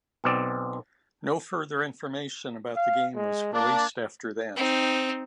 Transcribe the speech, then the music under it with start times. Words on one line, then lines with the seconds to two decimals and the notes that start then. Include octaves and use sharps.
No further information about the game was released after that.
0.24 B1 B2 C4 D5
2.76 F5
3.15 G#3
3.54 A#3 D4
4.56 C4 D#4